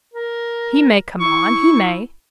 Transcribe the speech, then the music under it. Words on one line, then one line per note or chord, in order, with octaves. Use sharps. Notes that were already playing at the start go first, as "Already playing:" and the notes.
He may come on--he may.
A#4
E4 C#6